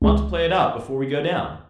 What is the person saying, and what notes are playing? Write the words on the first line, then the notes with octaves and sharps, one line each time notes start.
"Want to play it out, before we go down?"
C#2 G#3